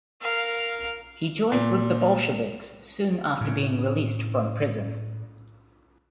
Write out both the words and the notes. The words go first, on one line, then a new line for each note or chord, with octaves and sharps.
He joined with the Bolsheviks soon after being released from prison.
A#4 F5
A#2
A2 C#3